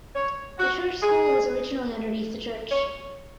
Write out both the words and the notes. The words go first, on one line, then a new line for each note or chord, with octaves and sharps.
The Church school was originally underneath the church.
C#5
F#4
G#4
C#5